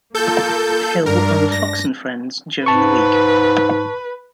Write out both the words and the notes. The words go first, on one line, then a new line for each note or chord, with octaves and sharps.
Hill on "Fox and Friends" during the week.
A#3 F4 A4 A#4 G6
G2 G#3 D4 A#4
A#6
G#2 B4 A5 C#6